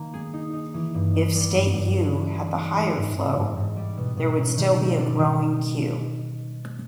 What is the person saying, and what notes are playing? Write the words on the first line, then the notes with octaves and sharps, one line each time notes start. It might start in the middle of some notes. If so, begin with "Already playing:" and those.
If state U had the higher flow, there would still be a growing queue.
Already playing: D#3 A#3
G#4
D#4
D#4
E3
G2
D#4
G3
G2
G2
C#4
E3
G#4
D#4
E3
G#2
G#2
G#2
G#2
G3
B2
B2
C#4
D#3
D#3
G3
D#3